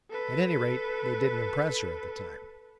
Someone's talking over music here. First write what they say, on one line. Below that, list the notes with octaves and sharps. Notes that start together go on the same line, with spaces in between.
At any rate, they didn't impress her at the time.
A4 B4